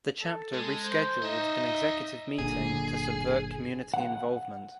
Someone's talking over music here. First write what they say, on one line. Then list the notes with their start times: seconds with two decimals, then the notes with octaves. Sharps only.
The chapter rescheduled an executive meeting to subvert community involvement.
0.22 A4
0.54 G#3
0.84 C5
1.22 D#4 D#5 E5
2.38 F#1 A#2 D3 G#4
3.94 F#5